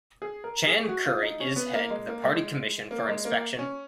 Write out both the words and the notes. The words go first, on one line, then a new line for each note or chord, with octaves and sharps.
Chan Kiri is Head of the Party Commission for Inspection.
G#4
A#4
G#4
F#4
F4
D#4
C#4
B3
A#3
G#3
A#3
G#3
A#3
G#3
A#3
C#4